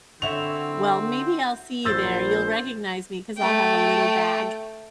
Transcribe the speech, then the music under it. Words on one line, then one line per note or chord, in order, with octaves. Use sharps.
Well, maybe I'll see you there. You'll recognize me 'cause I'll have a little bag.
D3 C4 E4 F#4 C#5 F7
A#1 C5 E6 A6
A3 G5